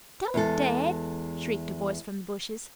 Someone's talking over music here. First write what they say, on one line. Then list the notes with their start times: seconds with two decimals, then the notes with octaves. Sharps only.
"Don't, Dad!" shrieked a voice from the bushes.
0.34 E2 G#3 A4